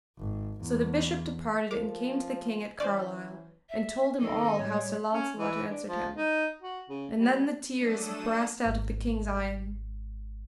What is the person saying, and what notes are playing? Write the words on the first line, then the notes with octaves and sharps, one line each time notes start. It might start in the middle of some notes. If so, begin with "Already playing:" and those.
So the Bishop departed and came to the king at Carlisle, and told him all how Sir Launcelot answered him; and then the tears brast out of the king's eyen.
G#1
E2
F3 A#4 D6
E3 C#4 C5 D5
E5
D#3 C4 A4 D#5
A2 G3 C#5
C#4
E3
D4
F3
D#4
F#4
C#3
G3
F#3 A3 D4 A4 D#6 E7
G#1 G#3